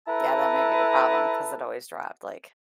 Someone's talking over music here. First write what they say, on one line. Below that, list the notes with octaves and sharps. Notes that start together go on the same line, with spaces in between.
Yeah, that might be the problem, 'cause it always dropped, like
E4 A4 B4 A5 A#5